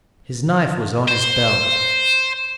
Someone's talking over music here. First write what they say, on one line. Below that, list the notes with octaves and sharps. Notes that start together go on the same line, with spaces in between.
His knife was on his belt.
C5